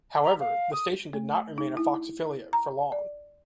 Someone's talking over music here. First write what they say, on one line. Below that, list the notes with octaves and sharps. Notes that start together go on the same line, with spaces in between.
However, the station did not remain a Fox affiliate for long.
A#5
F5
D#6
A3
D#4
E4
A#5
D5